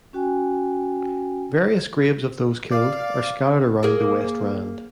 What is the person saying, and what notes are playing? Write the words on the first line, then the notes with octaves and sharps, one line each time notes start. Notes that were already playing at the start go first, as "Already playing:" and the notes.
Various graves of those killed are scattered around the West Rand.
C#4 F#4 G5 G#5
D5 F5
A#3 G#4